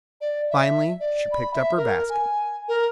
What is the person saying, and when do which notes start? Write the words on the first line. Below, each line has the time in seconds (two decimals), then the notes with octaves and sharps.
Finally she picked up her basket.
0.21 D5
0.50 E5
1.00 D5
1.31 B5
1.54 E5
1.76 A#4
2.09 G#5
2.68 A#4